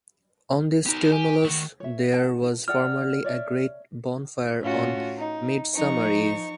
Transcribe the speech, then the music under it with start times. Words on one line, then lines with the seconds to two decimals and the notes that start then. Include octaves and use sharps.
On this tumulus there was formerly a great bonfire on Midsummer Eve.
0.86 B3 D#4 G4 A#4
1.12 G4 G#5
1.45 D#3 A3 F#4
1.80 C#5 E5
2.12 F#5 A5
2.68 G#4 D5 F#5 F6
3.24 C#5 D5 E5
4.63 A2 C#4 F4 F#4
5.17 D#4
5.75 F3 D#4 C#6